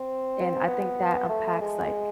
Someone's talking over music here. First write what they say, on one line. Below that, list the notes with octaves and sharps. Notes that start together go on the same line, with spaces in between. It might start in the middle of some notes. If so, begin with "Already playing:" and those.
And I think that unpacks, like,
Already playing: C4
B3
A3
G#3